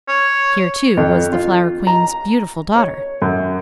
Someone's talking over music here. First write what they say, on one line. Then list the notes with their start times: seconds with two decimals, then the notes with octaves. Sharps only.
Here, too, was the Flower Queen's beautiful daughter.
0.08 C#5
0.97 F2
1.32 F4
1.87 A#5
2.76 C#5
3.22 F#2